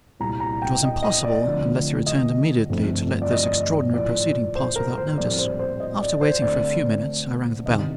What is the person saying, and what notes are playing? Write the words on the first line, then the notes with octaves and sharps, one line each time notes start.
It was impossible, unless he returned immediately to let this extraordinary proceeding pass without notice. After waiting for a few minutes I rang the bell.
C2 A#2 G3 A#5
A#5
G5
D#5
D#5
D5
D2 D3 F3 A3 C4
D#5
G1 F2 D3 A3 C4
D5
D#5
A#1 A2 F3 D5
C5
A#4
C5
A#1 A2 G3 C4 D5
C5
C5
D#5
D5
C5
D2 D3 A3 C4 D5
D2 C3 D#3 D#5